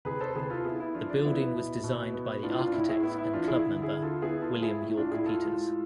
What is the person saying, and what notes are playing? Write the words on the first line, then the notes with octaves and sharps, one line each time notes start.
The building was designed by the architect and clubmember William York Peters.
C3 G#4 B4
A4 C5
C3 G#4 B4
F4 A4
B3 E4 G#4
E4
F3 D4 F4
D4
B3 E4
B2
B2
B3
A2 D4 F4
D4 F4
A2 E4
E4 G#4
B3 E4
E4
E3 D4 F4
E4 G#4
D3
E4 G#4
D3
F4 A4
B3 E4 G#4
F4 A4
G#3
E4 G#4
A2 E4
D4 F4
A2 E4 G#4
F4 A4
G#3